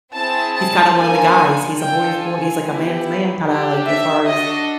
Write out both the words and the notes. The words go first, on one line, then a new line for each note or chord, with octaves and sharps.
he's kinda one of the guys, he's a boy's bo he's like a man's man kinda like, as far as
C4 E4 G#4 A5
A5
A#3 D4 F4 A4 G#5
D4 F4 A4 G5
G#5
B3 E4 G4
D4 G4
E5
D4 F#4 A4 D#5